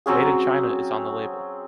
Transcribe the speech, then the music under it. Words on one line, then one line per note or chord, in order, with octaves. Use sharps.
Made in China is on the label.
F#3 C4 C#4 G#4